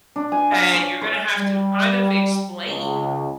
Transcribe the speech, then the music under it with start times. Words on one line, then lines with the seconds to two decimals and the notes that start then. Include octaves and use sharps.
and you're gonna have to kind of explain
0.16 D4
0.32 G#5
0.52 F5
0.75 C#5
1.01 C#5
1.38 G3
2.65 C#2